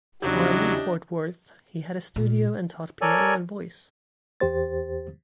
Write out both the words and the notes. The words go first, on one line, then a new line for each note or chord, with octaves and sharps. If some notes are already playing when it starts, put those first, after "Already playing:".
While in Fort Worth, he had a studio and taught piano and voice.
E2 C#3 F#3 D4 E4 G4 D#5
A#2
A4 A#4 C#5 D5 G#5
E2 G4 C5 A6